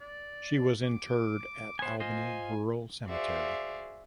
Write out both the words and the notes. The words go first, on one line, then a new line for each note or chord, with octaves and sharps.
She was interred at Albany Rural Cemetery.
D5
D6
B3 C5 G#5
F4 C5 D#5 G#5
F#4 G#4 C5 D5 E5 F5